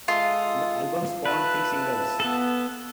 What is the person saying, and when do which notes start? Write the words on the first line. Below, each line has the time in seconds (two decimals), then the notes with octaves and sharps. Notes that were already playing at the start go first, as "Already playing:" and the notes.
The album spawned three singles.
0.08 G#3 F4 A4 D#6
1.26 B4 E5 A5
2.20 B3 A4